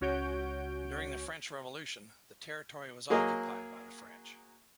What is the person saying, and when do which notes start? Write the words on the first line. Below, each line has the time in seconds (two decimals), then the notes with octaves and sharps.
During the French Revolution, the territory was occupied by the French.
0.01 C#2 C#4 F#4 C#5 G6 D7
3.10 F#3 A#3 G#4 A#4 D#5